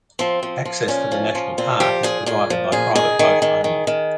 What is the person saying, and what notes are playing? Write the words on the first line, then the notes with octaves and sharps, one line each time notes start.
Access to the national park is provided by private boat only.
F3 C4
F3
F3
A#2 C#4
F3
F3
A#2 C4
F3 G4
A#2 G#4
A#2 G#4
F3
A#2 G#4
D#3 G#4
D#3
D#3
D#3
D#3